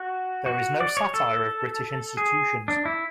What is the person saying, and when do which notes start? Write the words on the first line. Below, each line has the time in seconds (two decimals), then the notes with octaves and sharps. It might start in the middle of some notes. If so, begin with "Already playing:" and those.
There is no satire of British institutions.
Already playing: F#4
0.46 F#4
0.80 D5
0.97 C#5
1.14 A4
2.17 G#4
2.68 D4
2.85 E4